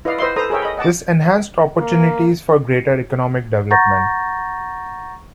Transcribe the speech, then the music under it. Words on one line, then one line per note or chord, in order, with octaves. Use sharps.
This enhanced opportunities for greater economic development.
E4 B4 D5 D#5 F5
B4 C5 D#5 E5 C6
A4 B4 C5 A#5 D#6
G#4 A#4 C#5 E5 G5
D#5 B5
D#5 F#5 A5 D6
A#3
F#5 A#5 C#6 G6 A6 A#6